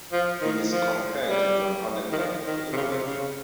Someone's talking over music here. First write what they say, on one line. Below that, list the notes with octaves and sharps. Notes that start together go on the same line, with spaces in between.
He is compared to John Hollander and Philip Larkin.
F3
D#3
F3
G3
D#3
F3
D#3
C3
C#3
C3
C#3